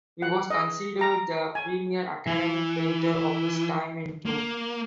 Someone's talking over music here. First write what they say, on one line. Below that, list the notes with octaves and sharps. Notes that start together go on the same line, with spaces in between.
He was considered the premier academic painter of his time in Rome.
F#5
D#5
A#5
G#5
E3
A#3